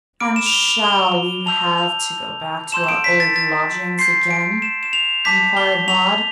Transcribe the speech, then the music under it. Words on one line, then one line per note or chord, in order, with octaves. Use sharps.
'And shall we have to go back to our old lodgings again?' inquired Maud.
B5 D6 F6 D7
E7
F7
G7
F7
G7
A5 E6 G6 F7
F7
A5 C6 E6 G6 E7
E7
D7
B6
A6
A6
C6 G6 C7
D7
E7
E7
F7
A5 D6 G6 B6
G7
F7